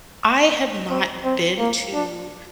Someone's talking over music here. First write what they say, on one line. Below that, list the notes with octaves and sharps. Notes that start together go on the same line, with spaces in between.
I have not been to
C4
C4
A#3
D4